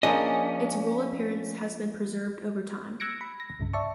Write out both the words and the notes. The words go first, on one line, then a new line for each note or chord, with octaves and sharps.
Its rural appearance has been preserved over time.
F3 A#3 C#4 D4 G#4 D#5
E6 F#6 G#6 A#6 C#7 D7
B5
A#6
C2 G2 C#3
D5 E5 A5 C#6